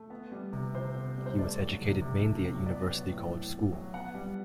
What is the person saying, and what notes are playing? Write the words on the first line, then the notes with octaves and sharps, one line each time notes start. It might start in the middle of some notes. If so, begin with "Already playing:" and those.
He was educated mainly at University College School.
Already playing: A3
B3
G3
C3
C3 C5
B3
G3
C5
A3 D5
F#3
C3
C3
A3
F#3
B3 D5
F#3
A2
A2
B3
F#3
B3 F#5
G3